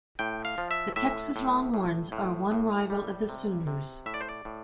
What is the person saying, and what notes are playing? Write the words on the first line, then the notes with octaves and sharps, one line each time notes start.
The Texas Longhorns are one rival of the Sooners.
A2 G5
F5
F3
E5
A2 E5
A2
A2
A2
A2
G3
C3
C3
A2 E5
D5
C5
D5
A2